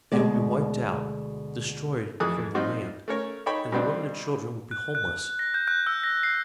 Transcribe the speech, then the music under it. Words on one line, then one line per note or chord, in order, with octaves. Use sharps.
They would be wiped out, destroyed from the land, and their women and children would be homeless.
D2 B2 G#3 D5
F2 E3 G#4 A4 D#6 F#6
F3 G3 C4 D#4 F4 F#4
A3 C#4 A#4 C#5
D#4 A4 C#5 G5 B5
G2 B2 B3 C4 D4
F#6
F#6
A#6
G6
F#6
E6
A#6
C7